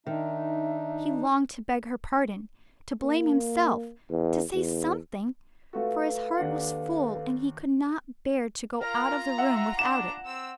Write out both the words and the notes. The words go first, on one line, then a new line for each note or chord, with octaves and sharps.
He longed to beg her pardon, to blame himself, to say something, for his heart was full and he could not bear to go out of the room without it.
D#3 D4 D#4 E5
A#3
E2
E2
A3 F4 F#4 A4 B4 F5
D#2 D4 F#5
F4 A#4 A#5
E5 F#5
D4 E7
C4 E6